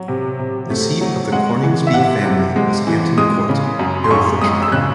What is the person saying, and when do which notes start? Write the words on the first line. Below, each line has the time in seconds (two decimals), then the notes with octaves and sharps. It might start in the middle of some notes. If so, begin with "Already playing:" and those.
The seat of the Coningsby family was Hampton Court, Herefordshire.
Already playing: F#3
0.08 C3
0.39 C3
0.70 A3
1.01 F#3
1.32 G#3 F#5
1.63 E3
1.87 E5
1.94 C3 F#5
2.25 C3
2.56 G#3
2.87 E3
3.18 G#3 D#6
3.49 C#3
3.79 F#2
4.04 C6
4.11 F#2 C#6
4.41 G#3 D#6
4.62 E6
4.72 C#3 F#6